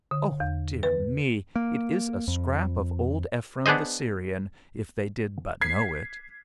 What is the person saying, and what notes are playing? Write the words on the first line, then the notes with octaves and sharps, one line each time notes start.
O dear me! it is a scrap of old Ephrem the Syrian, if they did but know it!
D3
E2
B4
A#3
F2
B3 D4 G#4 C5 D#5
G#6 B6 C7